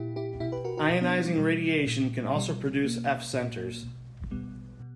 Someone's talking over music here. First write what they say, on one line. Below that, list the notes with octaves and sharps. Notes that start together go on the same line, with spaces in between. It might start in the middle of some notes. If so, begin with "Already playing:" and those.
Ionizing radiation can also produce F-centers.
Already playing: A#2 E4 G4
E4 G4
B2 E4 G4
G4 B4
F#4 A#4
F#4 A#4
B2
B3 D4
G3
B2 G3
A#2
B2 G3
B2 A#3
A#2
B2
B2 G3 B3
B2